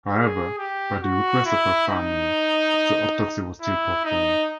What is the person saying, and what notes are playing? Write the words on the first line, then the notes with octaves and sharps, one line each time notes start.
However, by the request of her family, the autopsy was still performed.
G#4
G4
F#4
E4
D#4
E4
D#4